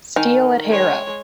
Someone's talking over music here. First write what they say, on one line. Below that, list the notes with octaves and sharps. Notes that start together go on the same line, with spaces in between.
Steel at Harrow.
D#3 D#5 G#5
G#3 C#5 G5